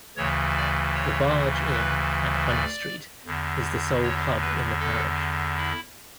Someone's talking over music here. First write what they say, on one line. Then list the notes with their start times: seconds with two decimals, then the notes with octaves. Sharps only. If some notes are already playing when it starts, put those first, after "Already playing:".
The Barge Inn at Honeystreet is the sole pub in the parish.
0.17 D2 C#3 E3 C#5
0.56 D5
0.94 C#5
1.71 B4
2.49 D5
3.26 E2 D3
4.03 C#5
4.42 B4
4.80 A4
5.57 E4